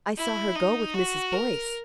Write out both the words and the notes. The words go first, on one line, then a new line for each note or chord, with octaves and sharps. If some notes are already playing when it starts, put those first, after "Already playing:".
"I saw her go with Mrs. Boyce."
E4
D#4
F#4
A#4